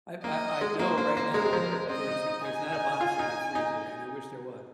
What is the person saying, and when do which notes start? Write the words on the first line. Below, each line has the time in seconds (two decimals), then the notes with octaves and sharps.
I I I know right now there's there's not a box in my freezer, and I wish there was,
0.24 A#3 D#5
0.61 G#3
0.79 A#3 C5
0.98 A#3
1.17 A#3
1.34 G#3 A#4
1.45 G#3
1.53 F3
1.72 G#3
1.89 C4 D#5
2.08 D#4
2.26 D#4
2.45 D#4 G#5
2.72 D#4
3.01 F4
3.19 D#4
3.55 D#4